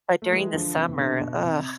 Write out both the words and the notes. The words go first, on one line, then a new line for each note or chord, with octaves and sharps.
but during the summer, ugh,
A3
E3 G#3
D3 F3
C3 E3
C3
B2 D3
B2
C3